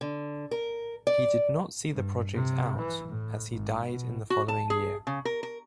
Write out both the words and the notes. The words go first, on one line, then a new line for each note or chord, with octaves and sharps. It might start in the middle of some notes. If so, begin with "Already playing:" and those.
He did not see the project out, as he died in the following year.
D3
A#4
D5
G2
C3
E3
A2
G#1
B2
F#4
A5
G#4
C#3
A#4
A#4